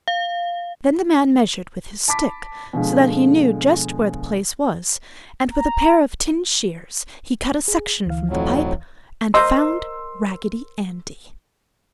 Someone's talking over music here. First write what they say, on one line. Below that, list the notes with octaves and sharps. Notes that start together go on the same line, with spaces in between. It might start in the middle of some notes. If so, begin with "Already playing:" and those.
Then the man measured with his stick, so that he knew just where the place was, and with a pair of tin shears he cut a section from the pipe and found Raggedy Andy.
F5
A5 B5 D6 B6
B2 D3 F3 G#3
A#5
G#4
D2 E3 F5
F2 A2 F#3
A#4 C5 D#5 C6 E6